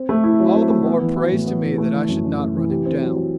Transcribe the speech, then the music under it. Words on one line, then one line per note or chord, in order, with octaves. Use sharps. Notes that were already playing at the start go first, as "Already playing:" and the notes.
"All the more praise to me that I should not run him down."
Already playing: C4
A3
E4
F#3
C4
A3
B3
E3
F#4
A2
B3
E3
A3
E3
F#2
F#2
A3
E3
G4
C4
F#3
F#3